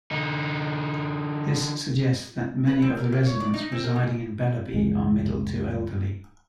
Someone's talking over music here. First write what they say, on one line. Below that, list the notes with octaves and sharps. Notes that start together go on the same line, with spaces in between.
This suggests that many of the residents residing in Bellerby are middle to elderly.
D3 D#4
B4
C4
A#4
A#3
C#5
D5
D#4
C4
A#4
G#2
F#1 C#2 E3 G#3